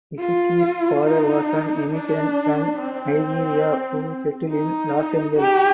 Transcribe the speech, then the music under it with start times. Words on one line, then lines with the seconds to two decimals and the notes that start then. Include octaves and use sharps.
Ezike’s father was an emigrant from Nigeria who settled in Los Angeles.
0.19 F4
1.05 D#4
1.91 D4
2.78 C4
4.49 D#4
5.36 G4